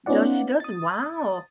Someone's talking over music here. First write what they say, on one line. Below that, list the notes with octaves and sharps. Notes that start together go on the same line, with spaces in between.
Does she doesn't? Wow.
B3 C#4 D#4 F4 D5 F#5
D#6 A6